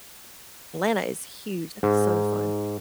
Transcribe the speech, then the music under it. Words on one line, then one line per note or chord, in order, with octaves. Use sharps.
Atlanta is huge, that's so fun,
G#2